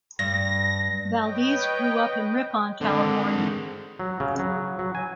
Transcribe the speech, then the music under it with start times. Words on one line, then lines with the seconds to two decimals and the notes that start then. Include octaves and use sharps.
Valdez grew up in Ripon California.
0.19 G2 A#6
1.21 B4 C#5 D#5 G5
2.81 D3 G#3 C4
3.99 F#3
4.20 C#3
4.39 F#3
4.79 F#3
4.95 G#5